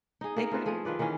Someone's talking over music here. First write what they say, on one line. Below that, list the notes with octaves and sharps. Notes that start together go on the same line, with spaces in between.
they pretty m
D#4 G#4
A#3 D#4 A#4
A3 F4 B4 E5
F3 A3 G#4
D#3 F4 B4 D5
D#3 E3 A#3 C#4